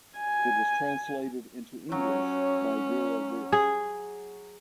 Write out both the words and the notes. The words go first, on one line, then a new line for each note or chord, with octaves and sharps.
It was translated into English by Vera Rich.
G#5
F#3 C#4
G#4